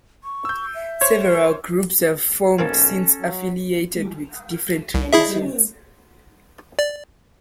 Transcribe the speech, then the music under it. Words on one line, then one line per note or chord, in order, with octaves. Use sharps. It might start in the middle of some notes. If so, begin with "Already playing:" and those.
Several groups have formed since, affiliated with different traditions.
C#6
E6 G6
E5
C5 C#5 G#6
A#4
B1 E3 A#3 C4 C#4 A4
F#3
C2
E4 G#4 E5
D5